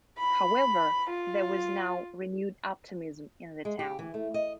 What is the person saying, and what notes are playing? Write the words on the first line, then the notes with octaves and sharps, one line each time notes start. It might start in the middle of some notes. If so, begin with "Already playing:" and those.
However, there was now renewed optimism in the town.
B5
F4
G#3
G4
E3
A3
D#5